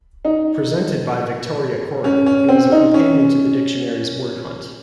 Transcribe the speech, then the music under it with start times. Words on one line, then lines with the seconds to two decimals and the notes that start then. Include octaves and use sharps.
Presented by Victoria Coren, it was a companion to the dictionary's Wordhunt.
0.25 D#4
2.04 C#4
2.26 C#4
2.49 C4
2.72 D#4
2.94 C#4